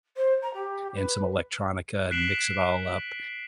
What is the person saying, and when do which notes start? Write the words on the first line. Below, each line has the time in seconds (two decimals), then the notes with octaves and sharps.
and some electronica and mix it all up.
0.17 C5
0.42 A#5
0.53 G4
0.95 B4
2.11 F#6 B6 C7 D7 E7 F#7